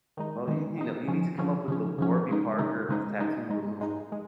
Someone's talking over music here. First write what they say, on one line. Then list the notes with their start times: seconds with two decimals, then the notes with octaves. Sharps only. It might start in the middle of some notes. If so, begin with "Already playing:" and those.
Well, you you know, you need to come up with the Warby Parker of tattoo removal.
0.17 D#3 G#3 D#4
0.48 D#3 G#3 D#4
0.78 D#3 G#3 D#4
1.08 C#3 F3 C#4
1.38 C#3 F3 C#4
1.68 C#3 F3 C#4
1.98 C#3 F3 C#4
2.29 C#3 G#3 D#4
2.58 C#3 G#3 D#4
2.89 C#3 G#3 D#4
3.19 C#3 G#3 D#4
3.49 G#2 G#3 D#4
3.80 G#2 G#3 D#4
4.12 G#3